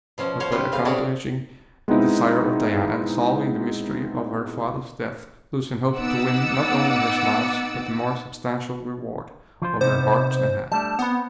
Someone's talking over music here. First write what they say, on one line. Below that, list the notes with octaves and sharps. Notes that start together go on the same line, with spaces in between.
But by accomplishing the desire of Diana, and solving the mystery of her father's death, Lucian hoped to win not only her smiles but the more substantial reward of her heart and hand.
B2 F3 C#4
C5 C#5 F5 F#5
C#4 G4 B4 C5
A2 C#3 B4 F5
C3 D4 F#4 G#4 C#5 D5
G#3 B3 C4 D#4 E4
B3 D#4 F#5 D6 E6 A6
F3 F4 C5
C3 B3 D#4 C5
G3 A3 D4 A5
B3 C4 G#4 B4